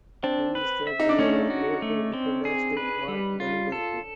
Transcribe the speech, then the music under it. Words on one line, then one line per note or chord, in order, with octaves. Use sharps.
He is the brother of Liverpool defender Sepp van den Berg.
C4 D4
B4
E5
D#4
D4
A3 C#4
F#4
A3
C4
G#4
B4
G3
F4
A4